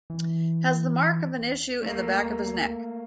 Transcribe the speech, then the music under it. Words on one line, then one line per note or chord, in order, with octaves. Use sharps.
Has the mark of an issue in the back of his neck.
E3
A3 A#3